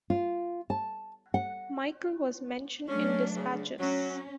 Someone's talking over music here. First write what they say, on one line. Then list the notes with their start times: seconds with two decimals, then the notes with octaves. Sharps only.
Michael was mentioned in despatches.
0.10 F4
0.70 A5
1.34 F#5
2.89 F#3 A3 C#4 D4
3.35 C#3
3.80 F#3 C#4